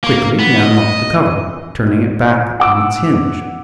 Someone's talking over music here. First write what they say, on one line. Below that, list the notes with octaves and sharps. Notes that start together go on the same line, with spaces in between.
Quickly he unlocked the cover, turning it back upon its hinge.
A#3
B3
D#5
F#5 D6 E6